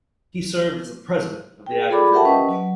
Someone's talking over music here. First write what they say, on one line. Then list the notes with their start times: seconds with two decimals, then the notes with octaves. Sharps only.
He served as the president of the Actors' Orphanage.
1.66 G#4 G5
1.89 F4 G#4 A4 D5 B5 D6
2.13 G4 A#4 E5 F#5 G5 A5
2.25 C#4 B4 D#5 C#6
2.49 F#3